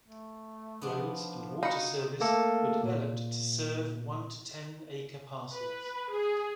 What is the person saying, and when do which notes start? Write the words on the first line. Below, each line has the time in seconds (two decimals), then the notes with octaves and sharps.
Roads and water service were developed to serve one to ten acre parcels.
0.03 A3
0.81 F3 B3 D4
1.63 D#4 F#4 F5 B5 C#7
2.20 A3 A#3 A4
2.83 A#2
5.54 B4
6.12 G#4